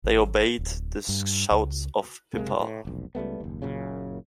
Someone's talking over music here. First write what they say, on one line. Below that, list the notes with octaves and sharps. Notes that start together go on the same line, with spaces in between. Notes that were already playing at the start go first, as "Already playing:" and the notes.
They obeyed the shouts of Pippa.
G#1
D1
G2
C#2
F#1 C3 G#3 A#3
A2
F1 B1
C#2 G3 A3 B3
F#1 D#2
F#1 F#2 A#2 C#3